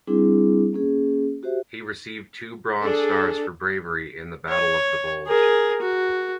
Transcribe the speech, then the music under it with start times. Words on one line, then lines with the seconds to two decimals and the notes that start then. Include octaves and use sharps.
He received two bronze stars for bravery in the Battle of the Bulge.
0.07 G3 C4 D4 E4 G#4
0.73 A#3 C#4 G#4
1.43 F#4 G4 C5 E5
2.81 D4 G#4 A4
4.48 C#5
5.27 G#4 A#4
5.81 F#4